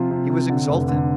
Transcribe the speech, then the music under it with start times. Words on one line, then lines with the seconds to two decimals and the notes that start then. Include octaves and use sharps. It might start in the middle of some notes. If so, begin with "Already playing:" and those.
He was exultant.
Already playing: C3 F3 F4
0.11 C3
0.30 C3
0.49 D3
0.68 F1
0.88 D3